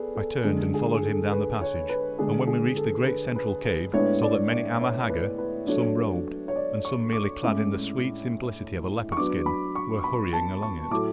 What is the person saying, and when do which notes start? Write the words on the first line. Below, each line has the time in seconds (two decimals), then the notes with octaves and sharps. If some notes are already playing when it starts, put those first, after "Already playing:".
I turned, and followed him down the passage, and when we reached the great central cave saw that many Amahagger, some robed, and some merely clad in the sweet simplicity of a leopard skin, were hurrying along it.
Already playing: B3 G#4 A4 B4 D5
0.16 A4
0.44 D3 G#3 D4 G#4
0.74 G#4
0.94 G#4
1.03 A4
1.32 B4
1.61 C#5
1.89 B4
2.19 D3 G#3 D4 G#4
2.47 G#4
2.77 A4
3.07 B4
3.36 B4
3.65 B4
3.93 A2 G#3 B3 D4 C#5
4.22 D5
4.51 D5
4.81 C#5
5.10 B4
5.38 B4
5.67 F#3 A3 D4 C#5
6.48 C#5
6.56 D5
6.85 C#6
7.13 D6
7.43 A2 G#3 C#4 E4
9.12 C#6
9.17 F#3 B3 D4 D6
9.46 B5
9.75 C#6
10.04 B5
10.33 A5
10.63 C#6
10.91 A2 F#3 A3 D6